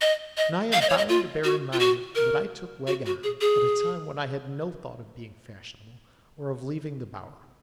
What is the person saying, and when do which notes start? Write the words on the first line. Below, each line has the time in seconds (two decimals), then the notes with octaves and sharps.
And I am bound to bear in mind that I took Wegg on, at a time when I had no thought of being fashionable or of leaving the Bower.
0.01 D#5
0.37 D#5
0.73 F5
0.81 D#5
0.89 C#5
0.98 D#5
1.09 F4
1.44 F#4
1.73 F4
1.80 F#4
2.15 A#4
2.87 F#4
3.06 F#4
3.24 G#4
3.41 G#4